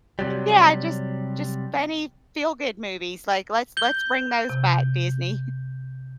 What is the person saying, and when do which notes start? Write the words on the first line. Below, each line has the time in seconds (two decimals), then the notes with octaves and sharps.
yeah, just just funny feel-good movies, like, let's let's bring those back, Disney,
0.19 C3 F#3 G3
3.77 G6 G7
4.49 C3